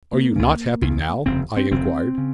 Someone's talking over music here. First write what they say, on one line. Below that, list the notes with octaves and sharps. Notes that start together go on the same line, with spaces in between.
"Are you not happy now?" I inquired.
A#3
C#2 C#3
C#2 C#3
F1 D#2 C#3 C4
C4
F1 D#2 C#3 C4
C#3